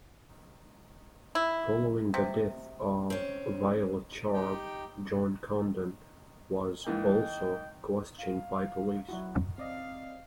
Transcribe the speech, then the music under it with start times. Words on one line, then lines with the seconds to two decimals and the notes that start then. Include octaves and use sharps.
Following the death of Violet Sharp, John Condon was also questioned by police.
1.35 E4
2.14 C3
3.10 C4 C#4
4.34 D#4 G4 G5
6.86 G#2 E3 A#3 D#5 G5
8.18 F5
9.09 F#3 E4 F#4
9.58 C4 D5 D#5 F5